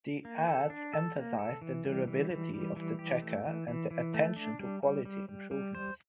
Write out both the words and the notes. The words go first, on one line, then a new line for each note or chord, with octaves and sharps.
The ads emphasized the durability of the Checker and the attention to quality improvements.
A#3
A4
D4
A4
A#3
A4
E3
G3
E3
E3
G3
E3
G4
A3
E3
E3
E3
A3
D4
G3
G3
G3
G3
G3
C5